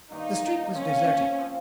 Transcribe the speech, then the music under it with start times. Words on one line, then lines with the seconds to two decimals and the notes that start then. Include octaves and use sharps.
The street was deserted.
0.11 G2 D#3 A#3 D#4
0.74 F3 C4 C#4 F4
1.38 F3 C4